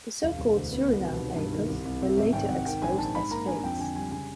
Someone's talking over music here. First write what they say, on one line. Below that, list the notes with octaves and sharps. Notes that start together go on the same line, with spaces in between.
The so-called Suriname papers were later exposed as fakes.
E1 F5
E1
D2
B3
C2
B2
D#3
G2
D#3
C2
C2
C3
G#1 E5
G#1 G5
G#1 F#5
D#3 G5
A#1 G#5
G#2 A5
G#2 B5
A#3 A#5
D4 G#5
F2 G5
D3 G#5
G3 G#5
C#3 G#5